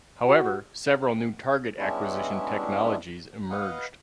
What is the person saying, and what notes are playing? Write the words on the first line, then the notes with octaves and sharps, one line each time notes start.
However, several new target acquisition technologies emerged.
F#4
G3 G#3 B3 C#4 D4 E4
B4 D#5 F5 F#5